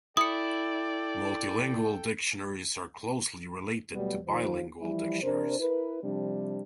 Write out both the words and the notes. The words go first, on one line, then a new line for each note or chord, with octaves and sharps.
Multilingual dictionaries are closely related to bilingual dictionaries.
E4 A4 D5 G5 D#6 C#7
B2 F#3 G3 A3 B3
D#2 D#3 F3 F4 C5
E3 F3 G3 E4
C3 D4 A#4 C5
E4 A#4 B4
C3 F3 G3 D4